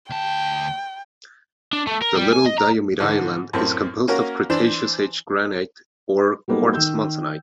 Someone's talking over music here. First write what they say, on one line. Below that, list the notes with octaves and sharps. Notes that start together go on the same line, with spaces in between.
The Little Diomede island is composed of Cretaceous age granite or quartz monzonite.
D2 G5 A5
D4
A3
A#4
G3
G#5
D#5
A#5
G#2 D3 E3
F#2 A2 C4
A#3 C#4 F#4 A#4
E3 D4 C5
F#3 G3 A#3 B3 D#4 A4
D#3 E6 G6